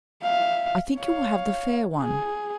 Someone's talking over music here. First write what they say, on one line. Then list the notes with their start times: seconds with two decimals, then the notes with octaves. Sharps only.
I think you will have the fair one.
0.22 E5 F5
0.97 C#5 F5
2.02 G#4